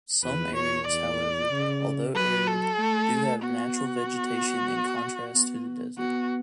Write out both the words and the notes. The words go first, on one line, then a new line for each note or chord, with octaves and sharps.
Some areas, however, although arid, do have natural vegetation in contrast to the desert.
E2 B4
C#5
E2 D5
C#3
F#3 B4
A4
A3
B3 F#4
B3
B3
B3 F#4